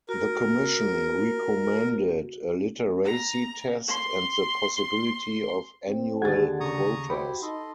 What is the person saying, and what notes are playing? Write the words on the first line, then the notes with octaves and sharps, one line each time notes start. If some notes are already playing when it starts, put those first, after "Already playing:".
The Commission recommended a literacy test and the possibility of annual quotas.
F#4 A#4
A#5
C6
C4
D#2 D3 G#4 F#5 G#6 A6
C#3 A#5 C#6 D#6
E4 F#4 G4 C5 B5
D#4 A4 D#5 C6